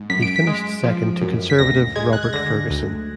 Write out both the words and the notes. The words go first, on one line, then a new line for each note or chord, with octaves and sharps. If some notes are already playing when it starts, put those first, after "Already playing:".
He finished second to Conservative Robert Ferguson.
Already playing: G#2
F#2 B6
D7
B6
G#3
F3
F#2
B6
D2 A#6
G#3 G#6
F#6
G#6
D3 A#6
D2